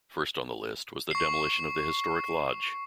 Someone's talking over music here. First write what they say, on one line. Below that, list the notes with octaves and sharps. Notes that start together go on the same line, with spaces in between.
First on the list was the demolition of the historic lodge.
C#6 C7